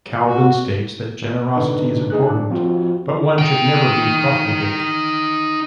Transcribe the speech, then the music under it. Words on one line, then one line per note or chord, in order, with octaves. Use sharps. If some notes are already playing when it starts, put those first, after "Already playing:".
Calvin states that generosity is important, but one should never be profligate.
F#4
D3 D4 D#4 B4
D#4 G#4 F#6
A2 D4
F3 C4 F4 F#4
D#4 G5